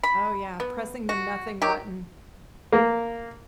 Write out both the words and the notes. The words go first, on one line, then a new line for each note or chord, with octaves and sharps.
Oh, yeah, pressing the nothing button.
B5
B3
F#4
D#3 F#3 G4
A#3